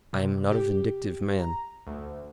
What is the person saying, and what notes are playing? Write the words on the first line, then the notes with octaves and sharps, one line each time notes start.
I am not a vindictive man.
C3
G4
A#5
D2